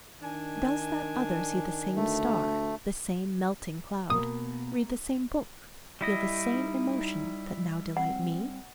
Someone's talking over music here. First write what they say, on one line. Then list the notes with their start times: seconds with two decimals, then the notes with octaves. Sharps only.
Does that other see the same star, the same melting cloud, read the same book, feel the same emotion, that now delight me?
0.22 D#3 D4 G#5
1.96 D2 A3
4.10 B2 A#3 D#6
6.01 G3 E4 D#5
6.52 D#4
7.97 C4 F#5